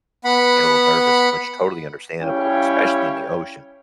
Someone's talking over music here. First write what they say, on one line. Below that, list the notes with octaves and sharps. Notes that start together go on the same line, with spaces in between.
you get a little nervous, which totally understandable, especially in the ocean.
B3 F#5 B5
G3 C#4 E4 C#5 F5 G5